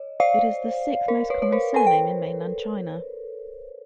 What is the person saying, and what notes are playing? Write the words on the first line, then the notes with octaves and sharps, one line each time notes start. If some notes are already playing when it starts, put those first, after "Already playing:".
It is the sixth most common surname in Mainland China.
Already playing: C#5 D#5
C5 D5 F5
A#4 C5
B4 C#5
C#5
A#4 C5
A4 B4 G#5
G5